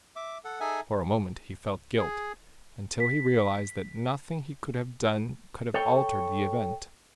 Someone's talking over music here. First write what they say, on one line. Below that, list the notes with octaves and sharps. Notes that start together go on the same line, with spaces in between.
For a moment, he felt guilt, until he realized that nothing he could have done could have altered the event.
E5 D6
A4 F#5
D#4 G#4 A4 E5 G#5
G#4
B6
A4 C#5 G5